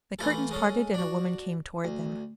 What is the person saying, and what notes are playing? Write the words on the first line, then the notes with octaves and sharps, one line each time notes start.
The curtains parted and a woman came toward them.
E3 A3 E4 F4 A4
G#3 C#4 A4
D4 F#4
D2